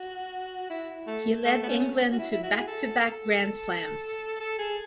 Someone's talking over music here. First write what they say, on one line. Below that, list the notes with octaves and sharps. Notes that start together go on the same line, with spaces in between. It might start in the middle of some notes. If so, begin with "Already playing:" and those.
He led England to back-to-back Grand Slams.
Already playing: F#4
E4
A3
A3
B3
C#4
F#4
E4
E4
F#4
G#4
A4
A4
G#4